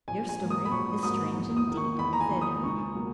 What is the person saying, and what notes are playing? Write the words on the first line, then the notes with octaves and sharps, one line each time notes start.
'Your story is strange indeed,' said he.
A#1 G#5
G#5
G#2 F#3 A#3
D#6
B5
A#1 C#6
G#2 F#3 A#3 D#6
E2
D#6
D#3 A#3
C#6
E2 B5
A#5
G#5
D#3 A#3
D#6
C#2 C#6
B2 F#3 A#3